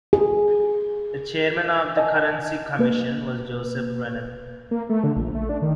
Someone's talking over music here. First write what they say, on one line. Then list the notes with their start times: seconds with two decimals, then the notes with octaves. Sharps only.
The Chairman of the Currency Commission was Joseph Brennan.
0.13 G#4
1.97 D#5 G#5 A5
2.79 A#3 B4
4.71 A#3
4.90 A3
5.04 D3
5.16 A#1
5.35 A3
5.49 D4
5.62 D#3